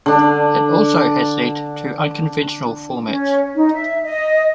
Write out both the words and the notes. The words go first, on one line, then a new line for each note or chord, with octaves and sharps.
It also has led to unconventional formats.
D3 D4
C#4
D#4
E5
D#5